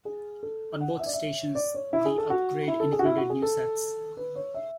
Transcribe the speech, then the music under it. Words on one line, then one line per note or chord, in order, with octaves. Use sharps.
On both stations, the upgrade included new sets.
G#4
A4
F#5
E5
D5
E5
D5
C#5
E4
G#4
A4
F#4
E4
A4
G#4
F#4
E4
F#4
G#4
A4
B4
C#5
E5